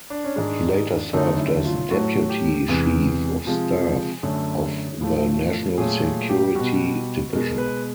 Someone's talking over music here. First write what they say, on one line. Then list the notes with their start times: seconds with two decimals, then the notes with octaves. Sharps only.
He later served as deputy chief of staff of the National Security Division.
0.10 D4
0.24 C#4
0.36 G#2 D#3 G#3 D4
1.13 F#2 D3 F#3 A3 D#4
1.39 E4
1.65 F4
1.90 A2 F#3 A3 F#4
2.29 G4
2.68 E2 C3 E3 G#3 G#4
3.45 C3 F3 G#3
4.23 F#2 D3 F#3 A3
5.01 A2 F3 A3
5.78 A#2 F#3 A3 G#4
6.03 G#4
6.29 G4
6.55 B2 G3 F#4
7.33 B2 G#3 A#4
7.58 B4